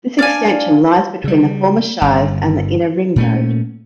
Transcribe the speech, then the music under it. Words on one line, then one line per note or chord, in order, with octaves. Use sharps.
This extension lies between the former Shires and the inner ring-road.
D4 D5 F5 G#5
C#3 G3
G1
A#2 A3 C#4